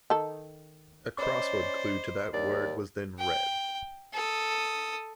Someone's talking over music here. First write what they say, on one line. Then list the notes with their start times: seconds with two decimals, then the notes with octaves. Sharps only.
A crossword clue to that word was then read.
0.10 D#3 A4
1.18 C#4 C5 D5 D#5 B5 D6
2.33 D#2 D5
3.18 G5
4.13 A4 D#6